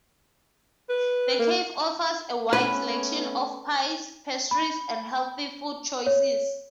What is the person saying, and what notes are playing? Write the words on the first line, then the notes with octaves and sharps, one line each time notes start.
The cafe offers a wide selection of pies, pastries and healthy food choices.
B4
A#3
A3 B3 C#4 B4 B5
B5
C#5